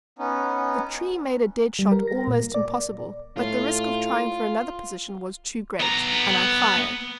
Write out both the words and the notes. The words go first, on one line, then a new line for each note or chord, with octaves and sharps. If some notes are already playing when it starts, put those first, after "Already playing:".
The tree made a dead shot almost impossible, but the risk of trying for another position was too great, and I fired.
B3 C#4 D#4
G3
A#4
A#6
A#2
A#3
D5
A2 F4
B3 A#5